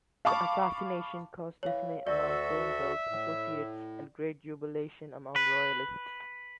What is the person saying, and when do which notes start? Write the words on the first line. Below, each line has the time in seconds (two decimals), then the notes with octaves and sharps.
The assassination caused dismay among Cromwell's associates and great jubilation among royalists.
0.25 F5 A5 B5 C#6 D6
1.63 E3 C#5 F5
2.07 D2 F#4 A4 D5 E5
3.09 A2
5.36 B4